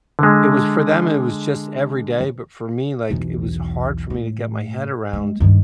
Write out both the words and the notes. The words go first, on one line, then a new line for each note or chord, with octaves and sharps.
it was for them it was just every day, but for me, like, it was hard for me to get my head around,
D3 G#3
B1 E2
A2
G#3
G2 D#3